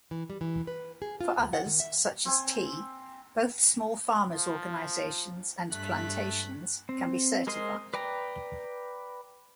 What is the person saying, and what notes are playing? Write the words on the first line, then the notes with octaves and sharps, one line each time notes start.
For others, such as tea, both small farmers' organizations and plantations can be certified.
E3
G3
E3
B4
G#4
F4
D2
F#5
D#3
E5
C4 G#5
F3
G2 A3 F#6 B6
C4
G#3 A#4 C5 D#5 C6
B4 D5 G5 A#5